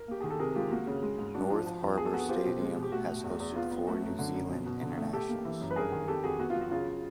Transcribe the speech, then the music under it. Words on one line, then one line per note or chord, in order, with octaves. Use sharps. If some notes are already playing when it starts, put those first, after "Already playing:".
North Harbour Stadium has hosted four New Zealand internationals.
Already playing: A#4
A#3 G4
D#3 G#4
A4
C3 G#4 A#4
G#3 F4 G4
A#3 F#4
C#3
G#3
G#2
D4 F#4
F3
F3
F2
B3 G#4
A4
B3 F#4 G#4
C4 F4 G4
B2
G#3
B2
G4
A3 F#4
A2
E2
E2
B3 F4
B3
A3 F#4
F#2
D3
F#2
B2
B2
D3
A3
A2 G4 A4
A#3
E3
F#2
B4
G2 G#4 A#4
D#3
F2 G4 A4
F2 F#4 G#4
B3 F#4
F4
F#3
F#4
C#3 F4